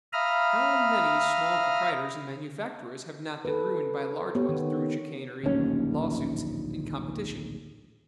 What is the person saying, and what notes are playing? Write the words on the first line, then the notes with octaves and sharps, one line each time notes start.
How many small proprietors and manufacturers have not been ruined by large ones through chicanery, law-suits, and competition?
E5 F5 A#5 B5 D#6 F6
A4 B4
B3 G4 C#5
D#3
D1 A#1 D#2 C#4